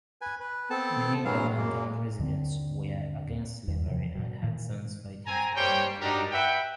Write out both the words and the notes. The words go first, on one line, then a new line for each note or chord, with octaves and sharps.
Many Germantown residents were against slavery and had sons fighting for the Union Army.
B4 G#5
B4
B3 C4 A4 A5
G2 E3 F#3 G#3 B3 F5
F#2 G#3 A#3
D#2 D3 A3 C4
E2 D#3
C3 E3 F3
A#2 F#3
A#2 D#3 E3
C4 G#5 A#5
G3 A#3 C5 C#5 G5
D4 D#4 F#4 G4 A#4 D5
B4 E5 F#5 G5